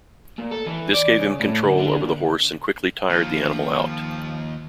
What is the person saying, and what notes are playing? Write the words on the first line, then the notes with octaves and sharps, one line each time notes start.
This gave him control over the horse and quickly tired the animal out.
A#2
A4
E3
D5
C#3
A2
D3
D3
A#2
D#2 F3